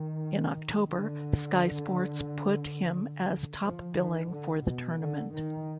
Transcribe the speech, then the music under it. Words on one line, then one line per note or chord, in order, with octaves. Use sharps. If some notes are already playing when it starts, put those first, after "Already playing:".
In October, Sky Sports put him as top billing for the tournament.
Already playing: D#3
D3
F3
D#3
D3
B2
D3
D#3